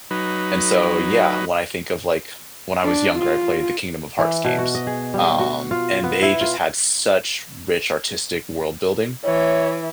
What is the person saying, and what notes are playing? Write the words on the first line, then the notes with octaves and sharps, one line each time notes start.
and so, yeah, when I think of like, when I was younger, I played the Kingdom of Hearts games, um, and they just had such rich artistic world building,
F#3 D#4 B4
D4
F4
E3
B2
F#4
D#5
G#4
G3
F#4
F4
B3
E4
F4
E3 C#5